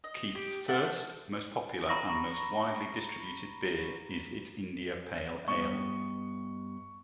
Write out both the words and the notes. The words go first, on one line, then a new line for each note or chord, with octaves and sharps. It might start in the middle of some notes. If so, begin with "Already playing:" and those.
Keith's first, most popular, and most widely distributed beer is its India Pale Ale.
D#5
G4
A3 F#5 A5 F#6
A#5 B5 C#6 A#6
G2 B3 D#5 C#6